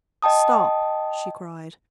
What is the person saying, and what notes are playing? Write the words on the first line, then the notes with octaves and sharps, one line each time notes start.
"Stop!" she cried.
D#5 G5 A5 D#6